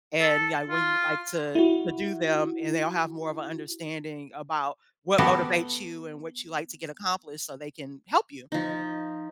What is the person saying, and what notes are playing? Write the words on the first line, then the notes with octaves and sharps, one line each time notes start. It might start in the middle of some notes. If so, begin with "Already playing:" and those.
and yeah, when you like to to do them, and they'll have more of an understanding about what motivates you and what you like to get accomplished so they can help you.
A4
F4
E4 F#4
B3 F#4 G4 A4
F3 D#4